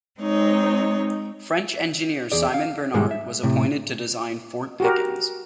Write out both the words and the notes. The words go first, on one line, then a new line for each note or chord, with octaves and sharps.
French engineer Simon Bernard was appointed to design Fort Pickens.
G#3 C4 D#4 C#5
E2 G#4 D5
F5
G#2 B2 D#3 G3 G#3
E5
A2 C3
F#4 G4 A#4